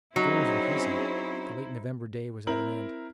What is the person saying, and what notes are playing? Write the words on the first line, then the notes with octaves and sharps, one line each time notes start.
The storm was increasing; the late November day was at an end.
F#3 C4 C#4 D#4 E4 G#4 C5
C4 E4 A#4 F#7